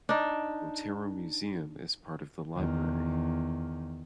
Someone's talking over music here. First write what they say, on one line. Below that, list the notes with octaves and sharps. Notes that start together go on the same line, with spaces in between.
The Botero Museum is part of the library.
D4 D#4
E2 D#3